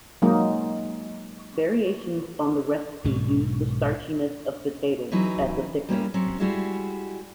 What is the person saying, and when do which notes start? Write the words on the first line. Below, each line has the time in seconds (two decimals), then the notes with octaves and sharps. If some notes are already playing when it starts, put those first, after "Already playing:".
Variations on the recipe use the starchiness of potato as a thickener.
0.22 F#3 G#3 A#3 D#4
3.04 B1 G#2 B2 D#3
5.12 E3 F#3 D#4 E4 B4
5.89 G3 A#3 C#4 E4
6.14 F#3 C4 C#4
6.40 G3 G#3 E4 F#4 G#4 E5